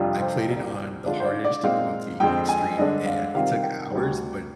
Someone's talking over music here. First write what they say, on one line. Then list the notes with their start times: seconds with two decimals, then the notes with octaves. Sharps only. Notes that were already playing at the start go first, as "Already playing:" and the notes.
I played it on the hardest difficulty, extreme, and it took hours, but
Already playing: F2 C3 G3 D4 F4
0.21 C5
0.50 C2 A#2 G3
1.06 D3 G#3 D4 F4
1.20 C5
1.25 D5
1.44 D5
1.63 A#2 G#3 C4 D#4 F5
2.20 F2 D3 G#3 C4 G5
2.49 G#5
2.78 G2 D3 G#3 D4 D#5
3.06 F5
3.35 C3 D#3 G3 C4 F4 F5
3.63 G5
3.91 D2 C3 G3